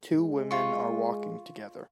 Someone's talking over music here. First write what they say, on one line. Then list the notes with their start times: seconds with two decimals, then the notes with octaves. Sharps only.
Two women are walking together.
0.16 G#3
0.51 F4 C#6